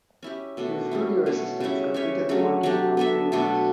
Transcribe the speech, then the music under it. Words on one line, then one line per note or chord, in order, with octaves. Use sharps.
His studio assistants completed the work in around three months.
C#4 E4 G4
B2 A3 D4
G3 C#4 E4
B2 A3 C#4
C#3 G3 C#4 E4
C#4 G4 C#5 E5
F#3 A3 C#4
F#3 A3 D4 G4
B3 D4 A4 E5
B2 A3 D4